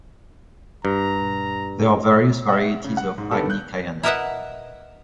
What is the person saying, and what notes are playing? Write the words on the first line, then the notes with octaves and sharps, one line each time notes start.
There are various varieties of Agnicayana.
G2 A#5
E5 F#5
C#3
F#5
G#2
D3 D#3 B3 G4 A4
F#6 G6
E4 A#4 B4 D#5 E5 F#5